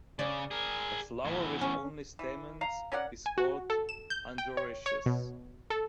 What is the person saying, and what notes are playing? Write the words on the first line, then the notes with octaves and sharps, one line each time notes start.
A flower with only stamens is called androecious.
C#3 D5
G#4 A#4
E2 A2
C#4
E3
F5 A#5
C#4 A#4 D5 F#5
G#5
F#4
A4
E7
G6
G5
C#5
C#5
B2
A4